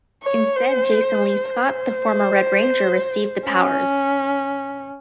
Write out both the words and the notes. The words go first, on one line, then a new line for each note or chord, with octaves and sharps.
Instead Jason Lee Scott, the former Red Ranger, received the powers.
C#5
C5
C5
C#4